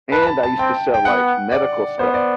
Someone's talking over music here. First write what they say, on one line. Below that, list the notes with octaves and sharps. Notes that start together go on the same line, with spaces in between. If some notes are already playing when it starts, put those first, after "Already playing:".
and I used to sell like medical stuff
B4 A5
B5
A5
A5
C4 G5
G5
B3 F#5
D5
B3 C5
D5